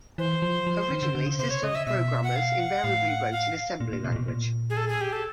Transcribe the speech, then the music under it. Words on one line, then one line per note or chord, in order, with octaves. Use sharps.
Originally systems programmers invariably wrote in assembly language.
E3 C5
F3
F3
D#3
D3
D3
C#3
C3 C5
C#5
C#3 D#5
E5
B2 E5
F#5
F5
F#5
A2 F5
F#5
F5
A#2
A#2
C3
A#2
B2
A#2
G#4
A4
G#4
G4
A4